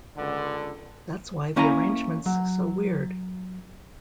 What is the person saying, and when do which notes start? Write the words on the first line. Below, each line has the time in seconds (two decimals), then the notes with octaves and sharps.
That's why the arrangement's so weird.
0.17 C#2 D3
1.56 A#3 C#4 E4 G#5 A#5
2.26 F#3